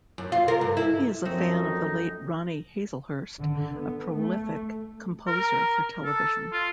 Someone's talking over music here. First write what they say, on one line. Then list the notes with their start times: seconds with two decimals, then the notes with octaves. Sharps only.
He is a fan of the late Ronnie Hazlehurst, a prolific composer for television.
0.18 F#2
0.32 F4
0.48 A#4
0.61 G2
0.77 E4
1.25 F#2 F3 A3 C4 D#4 C#5
3.39 D3
3.72 B3
4.15 A3
5.27 A#4
6.05 A4
6.53 F4